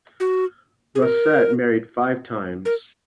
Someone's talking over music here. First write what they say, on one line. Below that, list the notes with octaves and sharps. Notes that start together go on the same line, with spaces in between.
Rosset married five times.
F#4
G#4
A#4
A#4